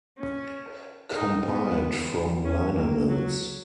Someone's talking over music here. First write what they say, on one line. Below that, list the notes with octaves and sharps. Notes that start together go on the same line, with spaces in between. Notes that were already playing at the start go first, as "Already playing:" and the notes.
Compiled from liner notes.
C#4
D#4
B3
C#4
A#3
F#3